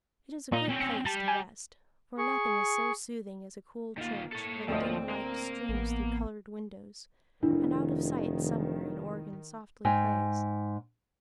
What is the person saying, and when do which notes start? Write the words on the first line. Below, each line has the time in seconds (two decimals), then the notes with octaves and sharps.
It is a good place to rest: for nothing is so soothing as a cool church where the dim light streams through colored windows, and out of sight somewhere an organ softly plays.
0.52 A#2 D#4
0.68 C4 C#4
0.80 E6 A#6 C#7
1.05 G3 A5 A6
1.28 G#5
2.18 G#4 C#6
3.98 D#3 A#3 F4
4.32 A4 C#5
4.68 D2 A2 F3 C4 D#5
5.10 A#3 A#4
5.69 A1 B3
7.43 F1 D#3 D4 E4
9.85 G#2 G5 G#5